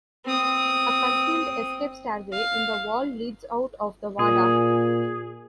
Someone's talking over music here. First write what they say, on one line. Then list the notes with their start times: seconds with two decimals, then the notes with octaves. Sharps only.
A concealed escape stairway in the wall leads out of the Wada.
0.25 C4 D#6
2.32 F5
4.19 A#2 G#4